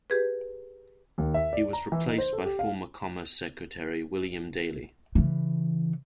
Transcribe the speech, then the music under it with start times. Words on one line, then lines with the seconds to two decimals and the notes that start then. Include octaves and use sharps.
He was replaced by former Commerce Secretary William Daley.
0.10 G4 G#4 B4
1.18 D#2
1.34 E5
1.53 D5
1.73 A#5
1.92 E3
2.05 D#4
2.18 C5
2.33 A4
2.46 G4
2.59 F5
5.15 C#3 E3